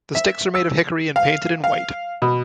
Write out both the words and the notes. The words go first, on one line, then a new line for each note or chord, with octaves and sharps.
The sticks are made of hickory and painted in white.
E5
E6
F5
F5
B2